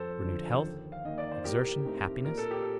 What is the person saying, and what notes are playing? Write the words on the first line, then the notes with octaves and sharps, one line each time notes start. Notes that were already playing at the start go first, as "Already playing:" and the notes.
Renewed health, exertion, happiness!
Already playing: F2 A4 C5
D3 F3
D#2
F5
D#3 A#3 D#5
D5
C5
A2 G4 A#4
A3 C4 D#4
A#2 A#4
A4
G4
A4